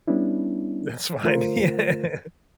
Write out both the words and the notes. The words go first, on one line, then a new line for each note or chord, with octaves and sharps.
That's fine. Yeah.
G3 B3 C#4 D4 E4
D3 A3 F4 A#4 C5